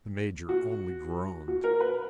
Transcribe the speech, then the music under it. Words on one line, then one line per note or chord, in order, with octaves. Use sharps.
The Major only groaned.
F#4
F#4
A#4
B4